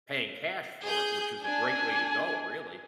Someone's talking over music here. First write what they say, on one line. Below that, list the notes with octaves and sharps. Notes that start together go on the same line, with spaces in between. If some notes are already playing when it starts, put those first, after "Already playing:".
paying cash for it, which is a great way to go, really.
G#4 G6
D4 G#5